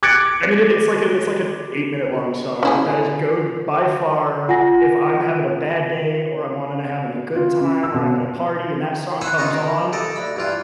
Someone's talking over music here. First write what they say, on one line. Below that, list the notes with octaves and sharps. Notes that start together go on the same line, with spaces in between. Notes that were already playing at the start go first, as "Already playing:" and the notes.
I mean, it it's like a it's like a eight-minute-long song, but that is GOAT by far. If I'm having a bad day or I'm wanting to having a good time or I'm at a party and that song comes on,
D6 F#6 G#6 A6 C#7 D7
C#4 E4 G#4
F4 F#5 G#5 A#6
F4
C#3
E6
B2
B4 C5 E5 F#5 G#5 B5
D#4 F4 C#5 D#5
D#3
G4 A4 D#5
D2 B5
G2 E3 F4